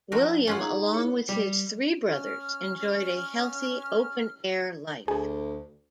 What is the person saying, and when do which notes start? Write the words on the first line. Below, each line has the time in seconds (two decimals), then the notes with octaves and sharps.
William along with his three brothers enjoyed a healthy open-air life.
0.12 F3 F#4 A#4
0.47 C#4 F4 F#5
0.59 D#4 G#4 A#5
0.94 E4 C#5
1.29 G3
2.10 C#4 F6
5.08 D2 G#4